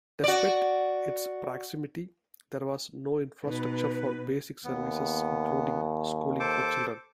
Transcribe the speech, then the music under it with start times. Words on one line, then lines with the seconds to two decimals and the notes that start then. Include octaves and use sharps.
Despite its proximity, there was no infrastructure for basic services including schooling for children.
0.24 F#4 D5
3.43 B2 D#4 B4
4.64 D#2 B3
6.40 A4 C5 D6